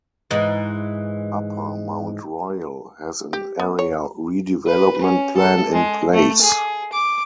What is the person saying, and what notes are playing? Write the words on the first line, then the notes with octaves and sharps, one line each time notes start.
Upper Mount Royal has an area redevelopment plan in place.
G#2 E3
G4
B3
C#5
B4
C#4
A4
G#3
A3
G#4
D6